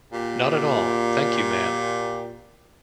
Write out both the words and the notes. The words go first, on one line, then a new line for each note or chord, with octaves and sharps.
Not at all, thank you, ma'am.
A#2 G4